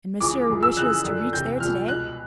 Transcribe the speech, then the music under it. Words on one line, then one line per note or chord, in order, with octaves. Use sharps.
"And Monsieur wishes to reach there to-day?"
C#2 C#3 E3 D6
F#2 C#3 F3
E6
F2 C#3 E3 F#6
F#2 D3 F3
E2 C3 E3 G6
C2 A#2 F3 F6
C#2 B2 F#6